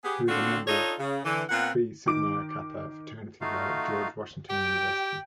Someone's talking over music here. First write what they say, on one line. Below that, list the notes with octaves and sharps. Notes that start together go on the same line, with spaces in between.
He was a member of Phi Sigma Kappa fraternity while at George Washington University.
B3 G4 G#4
D3 C4 D4 F4 F#4 A4
D4 D#4 F4 A4 C#5 D#5
C#3
D3 E3
A#2 B3 C4 F4 F#5
D#3 D6 D7
A3 D#4 F4 F#4 F5
G4 G5